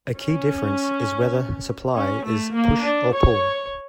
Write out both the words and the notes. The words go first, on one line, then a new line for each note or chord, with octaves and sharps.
A key difference is whether supply is 'push' or 'pull'.
C#4
C#4
A3
A#3
D4
C#5